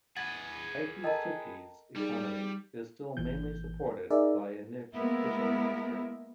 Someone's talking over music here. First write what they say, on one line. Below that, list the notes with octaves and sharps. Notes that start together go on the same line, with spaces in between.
Ikitsuki's economy is still mainly supported by a niche fishing industry.
G#4 B4 F#5 A6 F#7
A4 A#4 D#5 G5 A5 A#5
G3 D#4 G#4
G#1 A#2 E3 G6
D#4 G#4 A#4 D5 E5
G#3 A#3 B3 E4 A#4